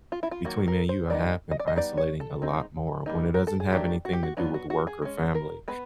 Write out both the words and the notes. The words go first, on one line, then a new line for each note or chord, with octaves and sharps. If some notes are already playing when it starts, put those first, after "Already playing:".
between me and you, I have been isolating a lot more when it doesn't have anything to do with work or family.
F4
E4
F4
D#3 F#3 A#3 F#4
A#4
C5
D#3 G3 B3 D#4 D5
D#5
D5
D#5
G3 B3 D#4 D5
C#5
A4
G#3 C4 D#4
G3 A#3 D#4
A#4
A4
G#4
D#3 F#3 A3 D4 G4
F#4
G4
F#4
F#3 B3 D4 F4
F#4
F#4
G#4
G#3 C#4
A#4
G#3 B3 B4